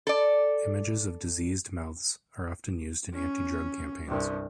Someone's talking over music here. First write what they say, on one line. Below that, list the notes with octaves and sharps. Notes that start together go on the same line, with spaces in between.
Images of diseased mouths are often used in anti-drug campaigns.
A4 D5
C#4
C2 G2